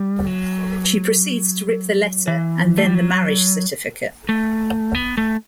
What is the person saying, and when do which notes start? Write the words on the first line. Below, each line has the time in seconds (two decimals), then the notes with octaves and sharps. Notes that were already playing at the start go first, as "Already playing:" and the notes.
She proceeds to rip the letter and then the marriage certificate.
Already playing: G3
0.27 F#3
2.28 E3
2.78 A3
2.86 G3
2.94 F#3
4.29 A3
4.95 B3
5.18 A3